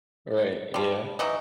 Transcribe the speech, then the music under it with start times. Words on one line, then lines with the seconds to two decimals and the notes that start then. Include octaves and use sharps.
Right, yeah.
0.74 F3 G3
1.19 E3 F#3 D#4